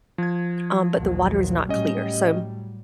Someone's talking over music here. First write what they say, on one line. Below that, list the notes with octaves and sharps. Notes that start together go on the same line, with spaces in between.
um, but the water is not clear, so
F3 G#6
A#1 D#2 F#3
A2 F#3 G3 C#4 D#5